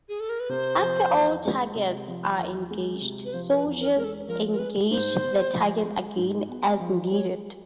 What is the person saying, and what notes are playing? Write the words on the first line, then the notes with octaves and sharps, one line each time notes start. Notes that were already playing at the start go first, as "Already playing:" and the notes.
After all targets are engaged, soldiers engage the targets again as needed.
G#4
A4
A#4
B4
C3 C5
F3
E2
G#3
C3
F3
E2
G#3
C3
B4
F3 C5
A#4
B4
E2
A#4
G#3 A#4
A4
F3 A#4
A#4
G#3 B4
G#2 C5
B3
F3
G#3
G#2
B3
F3
G#3 C#5